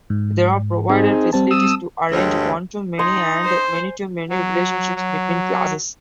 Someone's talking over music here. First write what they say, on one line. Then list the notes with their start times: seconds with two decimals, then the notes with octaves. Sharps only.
There are provided facilities to arrange one-to-many and many-to-many relationships between classes.
0.10 G#2
0.89 C4 D#4 G#4
1.33 G3 C4 A5
1.51 D#6 E6
2.12 D2 G2 G#3 A4 C#5
2.99 D#4 G#5 C6
3.45 C5
4.29 F#3
4.95 F#3